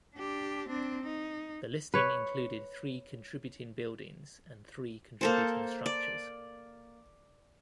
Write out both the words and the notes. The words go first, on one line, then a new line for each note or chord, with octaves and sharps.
The listing included three contributing buildings and three contributing structures.
D4 G4
C4 D4
D#4
B4 C#5
A#3 A4 C5
D5